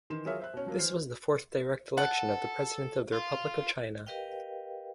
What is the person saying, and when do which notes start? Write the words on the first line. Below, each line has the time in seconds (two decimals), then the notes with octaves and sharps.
This was the fourth direct election for the President of the Republic of China.
0.10 D#3 E3 C6 E7
0.25 F#3 F4 G#4 A#4 C#5 E5
0.39 C5 E5 F#6
0.54 B2 C#4
0.66 F3 F#3 A#3
0.79 E3 C5 F6 C7
1.98 A4 F#5
3.13 F4
4.06 G4 A#4 B4 D#5 F5 G5